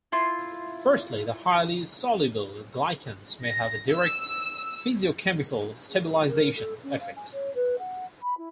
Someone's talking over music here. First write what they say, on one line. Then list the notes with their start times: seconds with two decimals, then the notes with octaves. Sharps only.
Firstly, the highly soluble glycans may have a direct physicochemical stabilisation effect.
0.12 E4 F4 C6
3.45 A#6
3.91 E6
5.89 G#4
6.28 A#4
6.56 A4
6.83 C#4
7.00 F5
7.16 G#5
7.32 C#5
7.54 B4
7.78 F#5
8.22 B5
8.37 E4